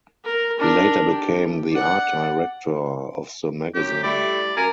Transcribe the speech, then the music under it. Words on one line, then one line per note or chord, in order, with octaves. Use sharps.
He later became the art director of the magazine.
A#4
D4 A#4
G4
D5 F#5
F#2 G4
G3 A3 E4 D5
F#2 A#4 G#5